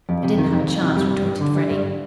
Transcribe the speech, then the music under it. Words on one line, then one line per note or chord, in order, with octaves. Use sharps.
"I didn't have a chance," retorted Freddy.
F2
C3
D#3
F2
F2
C3
G3
G2
G2
D3
G3
G2